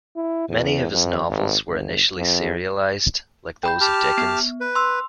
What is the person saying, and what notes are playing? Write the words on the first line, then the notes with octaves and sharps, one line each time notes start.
Many of his novels were initially serialized, like those of Dickens.
E4
E2
F2
G#1
G1
F2
G5 B5 G6
G4 A5 F6
B3
B4
C6 E6